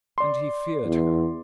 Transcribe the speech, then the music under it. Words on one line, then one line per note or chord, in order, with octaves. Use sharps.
And he feared her.
D5 C6
E2